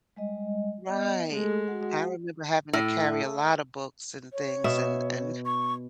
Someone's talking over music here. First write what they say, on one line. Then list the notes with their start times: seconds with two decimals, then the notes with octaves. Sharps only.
Right. I remember having to carry a lot of books and things and and
0.16 G3 G#3 D#5
0.86 B3 D#5
1.32 G#3 A3 G4 A4
1.68 F#4 F#5
2.73 A2
4.33 C#5
4.64 B2 E5
5.46 C#6